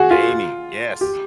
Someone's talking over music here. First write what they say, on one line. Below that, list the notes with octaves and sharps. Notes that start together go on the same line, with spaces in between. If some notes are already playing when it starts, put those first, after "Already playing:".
Gaming. Yes.
Already playing: F#4 G#4
F4
G4